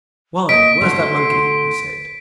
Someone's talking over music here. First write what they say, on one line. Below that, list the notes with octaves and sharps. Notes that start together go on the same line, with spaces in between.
"Why, where's that monkey?" he said.
A#3 D#5 B6 D7
D3 A3 F#4 C6